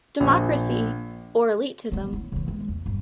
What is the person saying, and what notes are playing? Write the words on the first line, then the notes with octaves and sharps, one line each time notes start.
Democracy or elitism?
A#1
F#3 B3
E4
C#3 E3
G#3
E2
G1